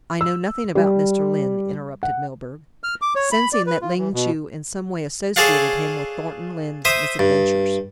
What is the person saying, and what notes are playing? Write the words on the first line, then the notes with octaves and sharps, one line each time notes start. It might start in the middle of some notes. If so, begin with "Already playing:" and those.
"I know nothing about Mr. Lyne," interrupted Milburgh, sensing that Ling Chu in some way associated him with Thornton Lyne's misadventures.
E6
G3
F#5
F6
D6
C#5
B5
D5
B4
F4
E3
B2
G#4 A4 C#5 D5 F5 F#5
C5 E5 D#6
G2